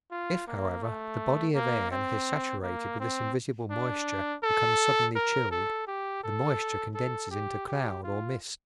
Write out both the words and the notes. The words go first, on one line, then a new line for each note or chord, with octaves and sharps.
If, however, the body of air that is saturated with this invisible moisture becomes suddenly chilled, the moisture condenses into cloud or mist.
F4
A#3
A3
A#3
C4
A#3
C4
D4
A4
A#4
A4
G4
A4
A4
G4
G4
F4